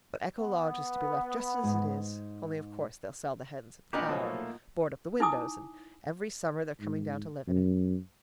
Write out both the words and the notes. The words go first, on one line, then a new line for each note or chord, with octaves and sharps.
But Echo Lodge is to be left just as it is. . . only of course they'll sell the hens and cow, and board up the windows . . . and every summer they're coming down to live in it.
B3
G#2
A#2 D4 F#4 G4 A#4 B4 D#5
B1 F3 A3 A#3 C#5
D#4 E4 G#5 D6 D#6
G#2
F#2